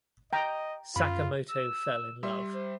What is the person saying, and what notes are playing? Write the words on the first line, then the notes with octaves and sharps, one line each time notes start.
Sakamoto fell in love.
D#5 G5 A#5
F#2 F4 B5
E6
G3 E5 C6
C5